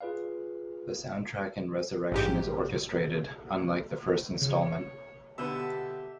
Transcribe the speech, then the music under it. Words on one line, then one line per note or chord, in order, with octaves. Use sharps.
The soundtrack in "Resurrection" is orchestrated, unlike the first instalment.
F4 G#4 B4 D5 F5
A1 G#2 G4
C#3 C#5
B2 D3 B3 G4 A4 D#5 E5